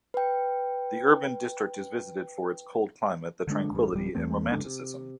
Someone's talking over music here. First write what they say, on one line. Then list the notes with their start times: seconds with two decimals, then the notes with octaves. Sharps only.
The urban district is visited for its cold climate, the tranquility and romanticism.
0.14 B4 G5
3.47 D3 G#3 D4
3.71 A1 G2
3.93 D1 G3
4.15 E2 E3 A3 C4
4.51 F#1 C#2 G#2 D3
4.66 C3